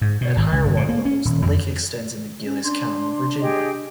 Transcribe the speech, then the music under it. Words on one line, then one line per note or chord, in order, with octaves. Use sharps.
At higher water levels, the lake extends into Giles County, Virginia.
G#2
B2
G#1
C#2
G1
A#2
A#3
C#4
D#1
F2
C#4
D4 C6
G4 G#4 D#5